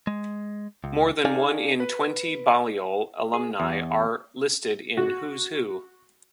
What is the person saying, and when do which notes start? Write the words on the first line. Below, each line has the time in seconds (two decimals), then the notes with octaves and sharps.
More than one in twenty Balliol alumni are listed in "Who's Who".
0.07 G#3
0.84 C#2
1.25 D#4 G#4 A4 D5 F5 G#5
1.80 B4
3.34 G#4
3.60 E2
4.97 F#4